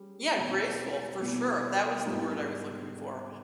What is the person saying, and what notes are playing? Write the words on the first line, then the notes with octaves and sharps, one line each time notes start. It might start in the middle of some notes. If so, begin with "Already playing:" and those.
Yeah, graceful for sure. That was the word I was looking for.
Already playing: G3 C#4 G#4
E2 B2 G#3 C#4
E2 B2 G3
G#2 G3 B3 D#4